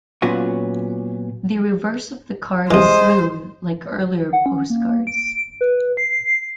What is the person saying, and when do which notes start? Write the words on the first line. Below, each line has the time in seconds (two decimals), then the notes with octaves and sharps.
The reverse of the card is smooth, like earlier postcards.
0.22 A#2 F#3 B3 C#4 F4 F#4
2.71 C2 E3 G#3 C5 D#5
4.33 F#5
4.46 C#4
4.70 A#3
5.07 D7
5.61 B4
5.97 C7